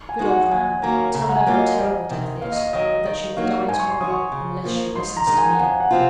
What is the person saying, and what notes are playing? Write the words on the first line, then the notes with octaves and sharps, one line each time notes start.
Good old man, tell her how terrible death is; and that she will die to-morrow, unless she listens to me.'
G#5
G#3 D#4 F#4
F#5
D#2 G#5
D#3 F#3 A#3 C#4 A#5
C#3 A#5
F#5
G#5
F#3 A#3 F4
D#5
F2
C3 D#3
D#2 F5
D#5
F5
D#3 F#3 D#5
D#3 D#5
F#3 A#3 D#4 F#4 F5
G#2 G#5
C#6
C6
F#3 C#4 F#4 D#6
C#6
C#3
F3 A#3 F4
G#2 C6
A#5
D#3 G#3 D#4 A#5
G#5
F#5
F2 G#5
F#5
C3 F3 C4 F4